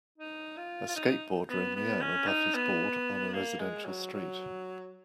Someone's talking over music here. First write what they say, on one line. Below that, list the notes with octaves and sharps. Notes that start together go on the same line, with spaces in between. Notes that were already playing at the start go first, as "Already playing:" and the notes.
A skateboarder in the air above his board on a residential street.
D#4
F4
F4
D#4
B3
B3
C#4
D#4
B3
A#3
G#3
F#3
F#3